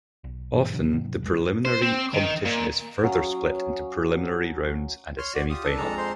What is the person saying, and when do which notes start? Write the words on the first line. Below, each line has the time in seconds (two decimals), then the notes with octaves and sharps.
Often, the preliminary competition is further split into preliminary rounds and a semi-final.
0.24 B1
0.54 G#1 G2 B2 E3
0.73 B2 D3 E3 F#3
0.93 G#2 C3 D#3 F#3
1.23 B1 E2 G#3
1.65 C5
1.82 C4
2.14 D#3
2.45 A#2
3.03 F#3 C#4 F5 D#6
5.18 C#5 C6 F6
5.34 F#4 D5
5.50 F4 G4 D#6
5.64 D4 A4 A5
5.78 F2 G#3 A#5
5.97 C5 C6